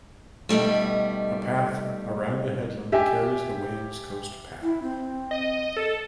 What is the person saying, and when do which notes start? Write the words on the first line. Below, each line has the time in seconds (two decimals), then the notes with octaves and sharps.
A path around the headland carries the Wales Coast Path.
0.49 B2 D#3 G3 A3
2.92 G4 E5 G#5
4.62 E4
4.82 C4
5.31 D#5
5.76 A4